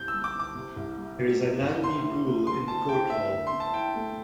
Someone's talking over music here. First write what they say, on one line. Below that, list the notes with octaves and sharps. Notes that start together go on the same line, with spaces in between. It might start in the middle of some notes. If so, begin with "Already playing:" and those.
There is a Nandi bull in the court hall.
Already playing: C2 C3 C4 G6
E6
G3
D6
C4
D6
C3
C2
G3
C4
C3
C2
C4 C6
E4
A3
D3 C6
C4 A5
E4 G5
A3 E5
D3
C6
C4
A5
E4 G5
A3